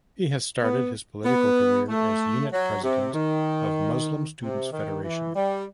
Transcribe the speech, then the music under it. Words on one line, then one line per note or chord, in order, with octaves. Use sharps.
He has started his political career as unit president of Muslim Students Federation.
B3
B3
A3
F#3
C3
D#3
C3
D#3
E3
G3